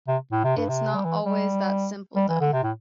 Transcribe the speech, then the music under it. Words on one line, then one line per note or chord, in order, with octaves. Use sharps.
It's not always that simple, though.
C3
A2
C3
G2
C3
G3
E3
G3
G3
E3
D3
C3
A2